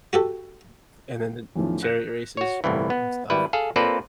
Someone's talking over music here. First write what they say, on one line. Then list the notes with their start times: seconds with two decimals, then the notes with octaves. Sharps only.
And then the chariot races and stuff, yeah.
0.13 F#4 G4 A4
1.55 A1 E2 D#3 F3
1.82 F#6 G6 A#6 C#7 E7
2.37 F#4 C#5
2.64 G1 C2 A2 E3
2.90 B3
3.30 G#1 G3 E4 B4
3.53 G#4 A4 F5
3.76 A#3 C4 F4 A4 B4 D5